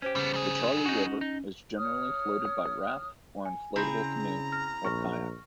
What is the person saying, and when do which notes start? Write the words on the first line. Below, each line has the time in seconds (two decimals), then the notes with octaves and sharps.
The Charley River is generally floated by raft or inflatable canoe or kayak.
0.02 C#4 G4 C5
0.16 C#3 G3 B3
0.34 G3 G#4
0.86 C#4 D#4 F#4
1.21 D#4
1.77 C#5 D#6 F6
3.45 G#5
3.76 C#3 C4 E4 G#4 A#5
4.52 F6 A#6
4.85 A#1 C#6 F6 A#6